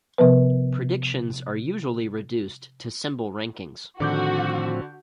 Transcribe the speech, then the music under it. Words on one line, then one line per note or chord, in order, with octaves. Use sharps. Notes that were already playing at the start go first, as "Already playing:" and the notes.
Predictions are usually reduced to symbol rankings.
C3 F3 B3 B4
A2 D3 D#3 F3 C4 F#4 D6 G6